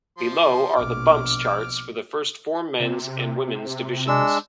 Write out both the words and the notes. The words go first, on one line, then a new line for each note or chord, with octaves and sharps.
Below are the bumps charts for the first four men's and women's divisions.
F3 C6
A#1 B2 D6 F6
C3
G#3 D4 E6